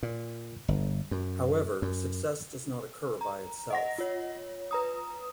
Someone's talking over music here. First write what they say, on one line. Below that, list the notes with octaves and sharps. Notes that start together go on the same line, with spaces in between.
However, success does not occur by itself.
A#2
G1
F#2
F#2
A#5
D#5 F#5 A#6
F4 C#5
B4 A#5 D#6